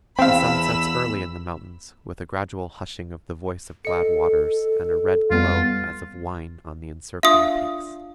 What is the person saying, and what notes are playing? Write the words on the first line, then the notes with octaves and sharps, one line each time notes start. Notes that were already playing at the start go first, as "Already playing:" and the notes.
The sun sets early in the mountains with a gradual hushing of the voice of glad waters and a red glow as of wine on the encircling peaks.
E2 C4 F5 B5 E6
A4 D#5 C#7
F2 G3 B3 F4
D4 F4 E5 F5 D#6